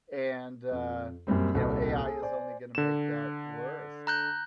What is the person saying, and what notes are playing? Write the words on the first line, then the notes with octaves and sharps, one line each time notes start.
and, uh, you know, AI is only gonna make that worse.
F2
F#2 A#2 G3 C4
D#1 C2 F#4 A4
G#4 A4
C5 D5 G#5
D3 E7
A#5 F#6 G6